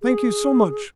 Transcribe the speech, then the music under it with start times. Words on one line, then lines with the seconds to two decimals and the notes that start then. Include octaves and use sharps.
Thank you so much.
0.02 G#4